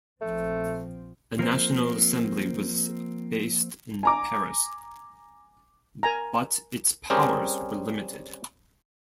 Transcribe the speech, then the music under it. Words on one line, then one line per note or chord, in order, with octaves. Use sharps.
A National Assembly was based in Paris, but its powers were limited.
A#1 F3 A3 C4
F3 A#3 C4 C5
G#5 A#5 D6
A#4 G#5 A#5
G3 C4 C#4 G4 G#4 A#4